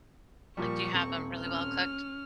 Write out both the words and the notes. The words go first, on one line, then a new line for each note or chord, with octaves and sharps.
Like, do you have them really well cooked?
A#2 F3 G3 C#6
D#1 C4
C#4 F6